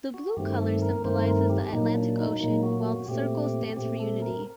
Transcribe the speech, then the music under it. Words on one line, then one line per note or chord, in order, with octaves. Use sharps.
The blue colour symbolizes the Atlantic Ocean, while the circle stands for unity.
F#4
G2 D#3 A3 C4 G4
A4
A#4
G2 D#3 A3 C4 C5
A#4
G4
A#2 F#3 A#3 D#4
D4
D#4
A#2 F#3 A#3 D#4
F#4
F#4
A#2 A3 C4 G4
A#2 A3 C4 G4
A4
A#4